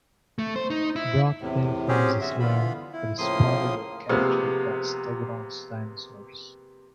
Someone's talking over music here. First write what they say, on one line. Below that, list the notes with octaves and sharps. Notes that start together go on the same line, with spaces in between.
Brock then finds his lair, but is spotted and captured by Stegron's dinosaurs.
A3
C5
D#4
E4
E2 A2 C3
F#3 C4 C#4 G4 G#4
D3 F#4 E5
D3 E3 B3 F4 B5
E4
A2 C#3 F3 A#3 C6 D#6
C3 F3 G#3 A#3 B3